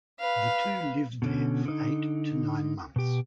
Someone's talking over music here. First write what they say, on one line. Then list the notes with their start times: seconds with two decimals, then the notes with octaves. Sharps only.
The two lived there for eight to nine months.
0.19 B4 F5
1.22 B2 D3 C#4
1.66 D3 D#4
2.96 B2 G4